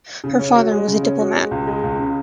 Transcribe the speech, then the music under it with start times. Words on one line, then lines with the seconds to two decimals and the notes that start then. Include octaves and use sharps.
Her father was a diplomat.
0.24 C#3
0.39 C#4
0.55 F#4
0.71 G#3
0.88 C#3
1.03 C#4
1.19 F#4
1.36 G#3
1.51 C#2
1.67 G#3
1.84 C#2
1.99 C#3